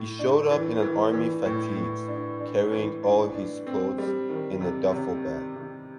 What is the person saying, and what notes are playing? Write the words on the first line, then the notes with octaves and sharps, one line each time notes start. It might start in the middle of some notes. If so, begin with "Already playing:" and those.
He showed up in army fatigues carrying all his clothes in a duffel bag.
Already playing: A2
D4
E3
E3
E3
A2
A2
D4
D4
E3
D4
D4
C4
G3
D#3
C3
C3
D#3
C3